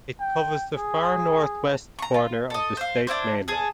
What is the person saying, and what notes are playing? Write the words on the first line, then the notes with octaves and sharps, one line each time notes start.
It covers the far north-west corner of the state mainland.
G5
G#4
A#5 C#6
F4
A4 D#5
C5 F5
D4 E4 F#4 C5
G#4 A4